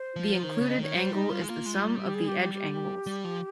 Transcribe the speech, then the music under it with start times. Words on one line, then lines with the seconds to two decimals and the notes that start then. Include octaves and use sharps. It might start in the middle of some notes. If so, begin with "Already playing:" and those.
The included angle is the sum of the edge angles.
Already playing: C5
0.16 F3
0.42 D#3 C5
0.56 C#3 C#5
0.69 D#5
0.78 D#3 C#5
0.95 G3 C5
1.13 D#4
1.31 F4
1.41 G#3
1.48 A#3 F4
1.66 G#3
1.83 G3
2.01 G4
2.14 G#4
2.28 G4
2.41 G4
2.54 G4
3.06 G3
3.24 F3